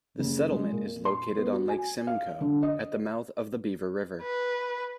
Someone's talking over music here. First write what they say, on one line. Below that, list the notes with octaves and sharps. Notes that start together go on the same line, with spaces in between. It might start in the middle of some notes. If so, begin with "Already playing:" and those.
The settlement is located on Lake Simcoe at the mouth of the Beaver River.
F#1
G#3
A#2
C6
B3
F#4
G#5
F5
D3
D#5
B4